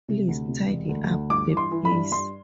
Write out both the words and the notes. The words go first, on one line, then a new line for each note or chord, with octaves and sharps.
Please tidy up the place.
C3
D2
C3
E1
D2
D2
G2 D6
E3
C6
E3
B5
G2
G2 C6